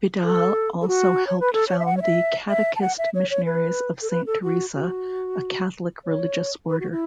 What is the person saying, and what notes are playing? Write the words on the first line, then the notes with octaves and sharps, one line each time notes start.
Vidal also helped found the Catechist Missionaries of Saint Theresa, a Catholic religious order.
A4
A4
F#4
C#5
B4
A4
C#5
E5
F#5
C#5
E5
E5
A5
F#5
E5
C#5
C#5
B4
A4
B4
A4
F#4
F#4
C#5
B4
F#4
E4